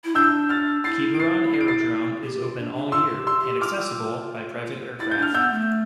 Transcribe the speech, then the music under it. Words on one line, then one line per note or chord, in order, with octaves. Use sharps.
Quiberon Aerodrome is open all year and accessible by private aircraft.
E4
D4 E6 G6
F6 A6
E4 A6 C7
D7
A6 C7
C7
D7
A6 C7
G4
F4
D4
D4
F4 C6 E6
F4
G4
C6 E6
G4
F4 D6 F6
E4 A6
G6
D4 F6
B3 E6 G6
A3